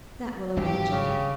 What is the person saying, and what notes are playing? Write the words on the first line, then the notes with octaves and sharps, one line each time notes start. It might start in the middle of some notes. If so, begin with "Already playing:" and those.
"That will arrange it."
G#1 G2 F#3 G4
C#3